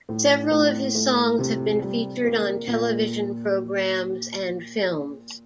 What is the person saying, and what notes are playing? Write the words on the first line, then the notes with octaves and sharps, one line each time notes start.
Several of his songs have been featured on television programs and films.
A2
A2
A3
C3
G3
A#3
A#2